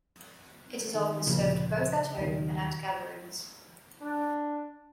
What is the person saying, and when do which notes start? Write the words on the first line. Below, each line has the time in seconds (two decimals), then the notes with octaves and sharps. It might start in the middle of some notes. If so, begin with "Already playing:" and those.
It is often served both at home and at gatherings.
0.95 D#3
1.27 D2 A#2 C#3 F3
2.17 D#2 B2 D#3 F#3
4.01 D4